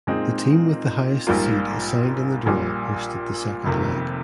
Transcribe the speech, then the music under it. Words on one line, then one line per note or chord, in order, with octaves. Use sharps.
The team with the highest seed assigned in the draw hosted the second leg.
A#2 G#3 C4 D#4
A#1 G#2 G3 A#3 F4
A#1 A#2 G3
F1 F2 C3 D#3 A#3